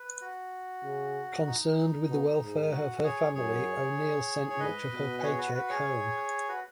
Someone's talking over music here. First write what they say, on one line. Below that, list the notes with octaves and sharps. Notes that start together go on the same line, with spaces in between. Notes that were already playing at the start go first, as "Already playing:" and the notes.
Concerned with the welfare of her family, O'Neill sent much of her paycheck home.
Already playing: B4
F#4
C#3
D#4
B2
G#2
F#4
G#4 C#5
F#2 G#4 C#5
C#5
G#2 B4 D#5
B2
G#4 C#5
F#4 B4
F#4 B4
G#4 C#5
F#4 B4